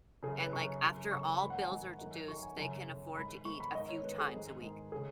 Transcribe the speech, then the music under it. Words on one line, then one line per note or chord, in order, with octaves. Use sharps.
and like after all bills are deduced, they can afford to eat a few times a week.
F#2 C#3 G#4
B4
F#2 C#3 C#6
F#2 C#3
F#2 C#3 C#6
G#2 D#3 B5
F#5
G#5
G#2 D#3
F#2 D#3
F#2 D#3 C#6
G#5
F#2 C#3
F#2 C#3
G#2 D#3 B5
G#2 D#3 C#6
B5
G#2 D#3 D#5
C#5
G#2 D#3 B4
G#4
G#2 D#3
G#2 D#3
C#3 G#4